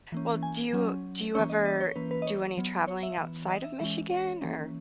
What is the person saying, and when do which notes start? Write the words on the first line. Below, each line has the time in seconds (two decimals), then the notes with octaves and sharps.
well, do you do you ever do any traveling outside of Michigan? Or
0.12 E3 A#3 C#4
0.43 G#5
0.73 F#3 C#4
1.35 E3 A#3 C#4 C#5
1.50 D#5
1.65 D#5
1.80 C#5
1.96 E3 A#3 C#4 B4
2.11 B4
2.22 D#5
2.27 C#5
2.57 F#3 B3
2.87 C#5
3.03 E5
3.18 E3 B3
3.50 D#5
3.64 E5
3.80 E3 G#3 C#4 E5
4.11 C#5
4.42 E3 A#3 C#4